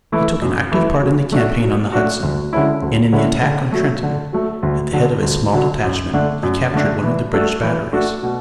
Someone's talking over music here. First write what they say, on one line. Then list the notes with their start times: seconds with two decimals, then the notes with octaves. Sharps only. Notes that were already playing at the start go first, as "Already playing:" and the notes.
He took an active part in the campaign on the Hudson, and in the attack on Trenton, at the head of a small detachment, he captured one of the British batteries.
0.12 E3 A3 E4
0.42 F#2
0.72 E3 A3 E4
1.02 F#3
1.32 A3 D4 F#4
1.62 F#3
1.92 A3 D4 F#4
2.23 D2
2.53 D3 G#3 C#4 E4
2.82 D2
3.12 D3 G#3 C#4 E4
3.43 D3
3.72 F#3 A3
4.03 D3
4.33 F#3 A3
4.63 D2
4.93 D3 F#3
5.22 D2
5.53 D3 F#3
5.83 F#2
6.13 D3 A3 D4
6.43 F#2
6.73 D3 A3 D4
7.03 E3
7.33 A3 D4 F#4 A4
7.63 E3
7.93 A3 D4 F#4 A4
8.23 B2